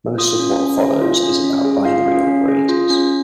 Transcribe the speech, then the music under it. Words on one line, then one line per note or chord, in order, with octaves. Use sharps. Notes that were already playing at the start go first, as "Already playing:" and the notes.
Most of what follows is about binary operators.
F4 D#6
C#4
C#4
G#4
F4
C#4
C#4
G#4
F4 F5
C#4
C#4
G#4
F4
C#4